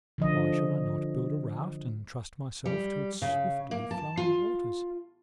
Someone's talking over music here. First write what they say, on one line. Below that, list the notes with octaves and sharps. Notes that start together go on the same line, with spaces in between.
Why should I not build a raft and trust myself to its swiftly flowing waters?
D3 F3 D#5
G3
C#3
A#3
A5
F4